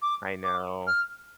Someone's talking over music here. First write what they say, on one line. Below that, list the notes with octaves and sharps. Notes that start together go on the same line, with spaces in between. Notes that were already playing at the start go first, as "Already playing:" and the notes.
I know.
D6
D6
F6